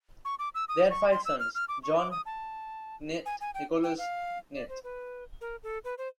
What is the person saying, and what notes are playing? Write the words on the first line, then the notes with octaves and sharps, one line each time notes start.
They had five sons, John, Knt., Nicholas, Knt.
C#6
D6
E6
D#6
C#6
C6
E6
F6
F6
D6
C#6
D6
D#6
A5
G#5
G#5
G5
G5
F5
D5
C5
B4
A#4
A4
B4
C5